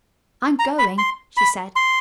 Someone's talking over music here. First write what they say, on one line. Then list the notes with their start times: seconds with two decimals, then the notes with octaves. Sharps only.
"I'm going," she said.
0.59 A#5
0.79 B5
0.98 C6
1.37 B5
1.76 C6